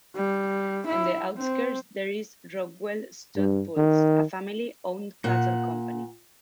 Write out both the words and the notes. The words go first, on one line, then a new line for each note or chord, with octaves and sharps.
On the outskirts there is "Rockwell Stud Bulls," a family owned cattle company.
G3
E4
C4
G2
D#3
A#2 F#5